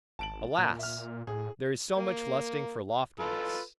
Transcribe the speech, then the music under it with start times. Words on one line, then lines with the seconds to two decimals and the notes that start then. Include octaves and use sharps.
Alas! there is so much lusting for loftiness!
0.19 G#1 A5 D7 F#7
0.58 A#2
0.79 E5 F6
1.27 A2 G#4
1.97 A#3
3.20 F4 A4 B4